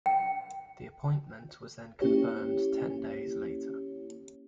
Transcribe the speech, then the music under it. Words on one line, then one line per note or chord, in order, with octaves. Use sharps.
The appointment was then confirmed ten days later.
G5
A#3 C#4 E4 G4 C#5